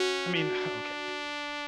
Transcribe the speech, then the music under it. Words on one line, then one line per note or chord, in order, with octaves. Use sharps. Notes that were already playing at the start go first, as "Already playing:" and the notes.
I mean, okay,
Already playing: C#4 F#4
D4